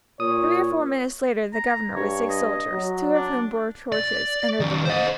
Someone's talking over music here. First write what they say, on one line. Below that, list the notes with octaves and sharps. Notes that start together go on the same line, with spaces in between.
Three or four minutes later the governor with six soldiers, two of whom bore torches, entered the room.
A#2 C#5 D#6
A#5
G2 C#5
D#5
F#3
D4
D5
D#3 C#4
C5 D#5